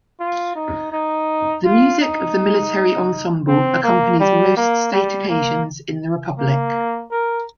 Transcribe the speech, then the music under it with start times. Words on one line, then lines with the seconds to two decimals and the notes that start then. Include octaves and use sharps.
The music of the Military Ensemble accompanies most state occasions in the republic.
0.20 F4
0.55 D#4
0.92 D#4
1.65 F4
2.01 D#4
3.47 C4
3.83 A#3
4.20 G3
4.57 A#3
4.93 G3
5.29 A#3
6.38 A#3
7.12 A#4